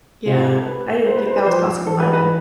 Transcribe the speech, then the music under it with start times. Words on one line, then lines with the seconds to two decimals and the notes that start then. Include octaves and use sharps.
Yeah, I didn't think that was possible either.
0.26 C3 F4
0.36 F4
0.46 G4
0.56 A4
0.66 B4
1.06 C5
1.16 B4
1.26 C5
1.36 B4
1.46 F3 C5
1.86 E3 A4
2.00 B4
2.13 B4